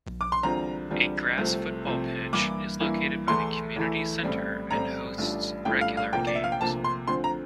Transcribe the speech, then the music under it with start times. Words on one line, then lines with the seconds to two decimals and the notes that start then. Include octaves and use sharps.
A grass football pitch is located by the community centre and hosts regular games.
0.21 D6
0.32 C6
0.43 E2 D3 G3 C4 F4 A#5
0.90 E2 D3 G3 C4 F4
1.38 C2 C3 F3 A3 C4
1.85 C2 C3 F3 A3 C4
2.33 G2 E3 A#3 E4 D6
2.80 G2 E3 A#3 E4
3.28 E2 E3 A3 E4 C6
3.76 E2 E3 A3 E4
4.23 A1 A2 G3 C4
4.70 A1 A2 G3 C4 A#5
5.18 A1 A2 G3 D4 F4
5.65 A1 A2 G3 D4 F4 G5
5.81 F5
5.97 F5
6.13 D2 C3 F3 A#3 G5
6.27 D5
6.35 E5
6.44 F5
6.52 G5
6.60 D2 C3 F3 A#3 A5
6.84 C6
7.07 D2 D3 F3 C4 C6
7.24 A#5